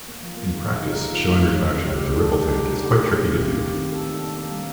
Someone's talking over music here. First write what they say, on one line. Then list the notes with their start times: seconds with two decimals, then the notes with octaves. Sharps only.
In practice, showing refraction with a ripple tank is quite tricky to do.
0.08 A#3
0.23 F3
0.37 A#3
0.53 D#3
0.67 G3
0.82 D#4
0.97 A#3
1.11 F4
1.26 A3
1.41 A3
1.55 D3
1.71 D3
1.86 G4
2.00 A3
2.15 D4
2.29 G4
2.45 D#4
2.59 G4
2.74 G4
2.89 A3
3.03 C3
3.19 A#3
3.33 G4
3.48 C4
3.63 D#3
3.77 D#3
3.92 A4
4.08 D4
4.22 A#3
4.36 A#3
4.51 G3